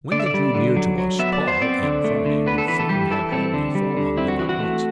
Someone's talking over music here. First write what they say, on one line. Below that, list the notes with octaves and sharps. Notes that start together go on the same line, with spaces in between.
When they drew near to us, Paul and Friday would fain have had me fall on them at once.
D3 D5
E5
D5
G3
D3
F#3
F#3
B3 E5
D5
B3
C5
C4 D5
D3
A3
D3
B3 B4
A4
E3 B4
A4
G3 G4
E3 A4
C4 A4
D3
G3
D3
C4 E4
F#4
E3 F#4
F#4
A3